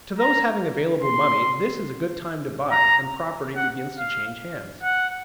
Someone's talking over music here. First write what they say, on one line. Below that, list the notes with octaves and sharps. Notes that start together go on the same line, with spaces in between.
To those having available money this is a good time to buy, and property begins to change hands.
A#5
C6
A#5
F#5
F5
F#5